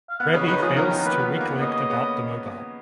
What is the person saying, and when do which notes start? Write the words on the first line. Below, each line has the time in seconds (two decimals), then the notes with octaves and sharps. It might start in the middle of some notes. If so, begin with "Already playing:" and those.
Ravi fails to recollect about the mobile.
0.10 F5
0.20 B3 F#5
0.34 C#3 C#4 D#5
0.48 D#3 D#4 B4
0.62 F3 F4 G#4
0.76 D#3 D#4 A#4
0.91 D#3 D#4
1.05 A#3 B4
1.19 B3
1.33 B3
1.41 A#3
1.48 B3
1.61 C#3 C#4 D#5
1.90 B3